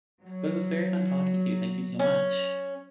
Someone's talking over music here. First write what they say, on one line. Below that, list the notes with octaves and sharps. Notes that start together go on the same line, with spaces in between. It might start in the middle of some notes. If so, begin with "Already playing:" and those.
but it was very fun talking to you, thank you so much.
F#3
C#4